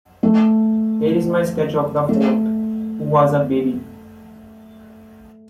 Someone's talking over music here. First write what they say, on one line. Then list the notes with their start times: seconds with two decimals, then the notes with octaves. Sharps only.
Here is my sketch of the fourth, who was a baby.
0.23 A3
2.09 A3